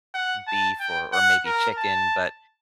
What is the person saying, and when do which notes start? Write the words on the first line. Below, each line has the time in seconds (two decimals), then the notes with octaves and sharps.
beef or or maybe chicken, but
0.14 F#5
0.47 A5
0.80 G5
1.12 F#5
1.45 A#4
1.78 A5